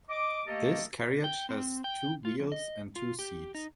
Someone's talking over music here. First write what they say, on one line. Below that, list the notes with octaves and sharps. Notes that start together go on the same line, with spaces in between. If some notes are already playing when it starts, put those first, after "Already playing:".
This carriage had two wheels and two seats.
D#5 D6
A3 A#3 G4 A4 A#4 D#5
G5
C4
G5
F4
F2
D#5
F4
G4
D#4